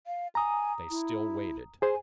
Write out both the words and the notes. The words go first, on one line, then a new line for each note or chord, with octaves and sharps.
They still waited.
F5
G#5 A#5 D#6
E4
G#4 C5 G#5